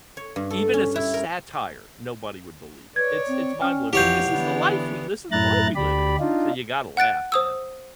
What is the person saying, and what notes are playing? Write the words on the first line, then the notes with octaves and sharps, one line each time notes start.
E even as a satire, nobody would believe it. It's it's mind-blowing, but, this is the life we li this is the world we live in, so you gotta laugh, man.
C#5
G2
A4
C#4
E4
A#4
B4 C#5 D5 G#6
C4
C#4 G5 F6
F2 E3 E4 G4 C#5 F5 F#5 G6
D3 E3 B3
F#2 A2 E4 A#5 F#6 A6
D2 G4 D5 B5
D4 D#4 F4
F#5 F#6 A6 D7
C5 D#6 E6